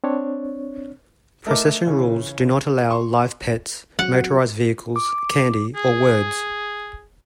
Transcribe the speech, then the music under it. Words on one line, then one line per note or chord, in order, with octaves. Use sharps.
Procession rules do not allow live pets, motorized vehicles, candy, or words.
C4 D4 C#5
A3 A#4 D#5 D6
C#3 E3 C#4
C6 C#6
F#3 C4 F#4 F#5
D6
G#4